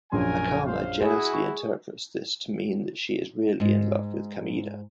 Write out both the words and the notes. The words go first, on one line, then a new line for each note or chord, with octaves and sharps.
Akama jealously interprets this to mean that she is really in love with Kameda.
A#1 F#2 A3 A#4 G#5 C6
C5 F5
E4 F#4 G#4
C#6
G#2